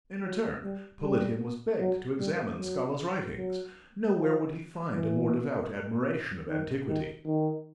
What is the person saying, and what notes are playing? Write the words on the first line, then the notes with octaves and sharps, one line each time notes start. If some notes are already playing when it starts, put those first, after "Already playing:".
In return, Politian was begged to examine Scala's writings: nowhere would he find a more devout admiration of antiquity.
F#3
G3
G3
F#3
G3
F#3
F#3
F3
E3
D#3
D#3
D#3